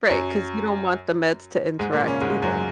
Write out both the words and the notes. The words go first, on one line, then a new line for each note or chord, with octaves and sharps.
Right, 'cause you don't want the meds to interact either.
F#2 F#3
G#2 G#3
A#2 A#3
C#3 C#4
G#2 G#3
F#2 F#3